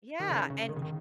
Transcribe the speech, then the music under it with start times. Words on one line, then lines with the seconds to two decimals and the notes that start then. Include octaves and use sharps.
Yeah, and
0.20 D#3
0.30 C#3
0.50 C#3
0.69 D#3
0.77 C#3
0.82 D#3